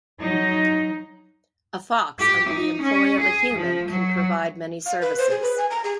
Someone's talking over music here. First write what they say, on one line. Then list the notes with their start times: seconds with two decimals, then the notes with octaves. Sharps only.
A fox under the employ of a human can provide many services.
0.21 F#3 D#4
2.20 G4
2.49 D#4
2.82 C#4
3.20 G#4
3.54 F3
3.89 F#3
4.86 F5
5.01 B4
5.18 C5
5.31 G#4
5.42 B4
5.58 G#5
5.71 A#5
5.84 G#4